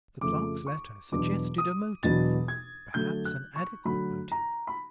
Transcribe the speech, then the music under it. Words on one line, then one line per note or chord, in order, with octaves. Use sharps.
The clerk's letter suggested a motive, perhaps an adequate motive.
F2 C#3 F3 A3 D6
C#6
E2 B2 F#3 B3 D4 D6
D#6
E2 B2 F#3 B3 D4 A6
G#6
D3 F#3 A3 G6
F#6
C#6
D3 F#3 A3 B5
A#5
B5